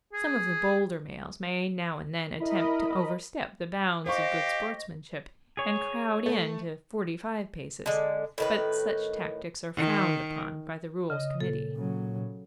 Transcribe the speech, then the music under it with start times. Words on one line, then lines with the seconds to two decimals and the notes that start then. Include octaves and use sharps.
Some of the bolder males may now and then attempt to overstep the bounds of good sportsmanship and crowd in to forty-five paces, but such tactics are frowned upon by the Rules Committee.
0.13 G#4
2.40 E4 A#4 D#5 B5
4.06 G4 C5 D#5 F5 C#6
5.57 G#4 C#5
6.26 A3
7.86 D3 G#3
8.38 A2 D#3 B4
9.75 D#3
11.10 C#3 D#5
11.40 A#2 A4
11.76 C#3 F#3